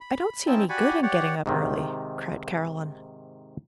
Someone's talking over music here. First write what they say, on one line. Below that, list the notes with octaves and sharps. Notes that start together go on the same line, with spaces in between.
"I don't see any good in getting up early," cried Caroline.
B5
C4 C#4 D#4 E4 G5 A5
F#4 G4 D5 F#5 G#5 B5
G4 C#5 D5 F#5
G#2 C3 D#3